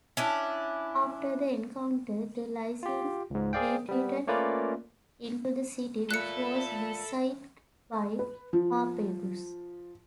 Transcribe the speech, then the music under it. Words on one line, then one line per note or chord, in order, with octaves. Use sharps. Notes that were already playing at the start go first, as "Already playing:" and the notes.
After the encounter, the Lycians retreated into the city which was besieged by Harpagus.
C#4 D4 E4
F4 G4
C#2 G#2
G#4 C5 D5 F5 G5
G3 B3
A3 A#3 C#4 F4 B4 D5
A#2 A4 E5 B5 F#6 C#7
B4
F3